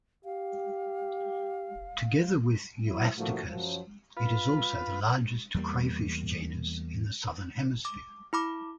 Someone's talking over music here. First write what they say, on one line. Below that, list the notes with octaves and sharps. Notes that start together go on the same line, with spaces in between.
Together with "Euastacus", it is also the largest crayfish genus in the Southern Hemisphere.
G4 F5
F#3 E4
A2 D3 F3 A3 A#3 F#4
F#2 F3 F#3
F4 B4
E2 G3 A#3
D6
E4 B5 D6